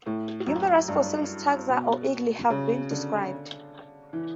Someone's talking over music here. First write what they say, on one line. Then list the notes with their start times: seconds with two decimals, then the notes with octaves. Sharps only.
Numerous fossil taxa of eagles have been described.
0.06 A2
0.48 F#2
0.88 G2
1.69 B2
2.50 C#3
2.91 D3
4.13 E3